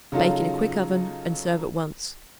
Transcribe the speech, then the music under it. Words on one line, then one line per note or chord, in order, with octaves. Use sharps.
Bake in a quick oven and serve at once.
C#3 F#3 D#4 F4 A4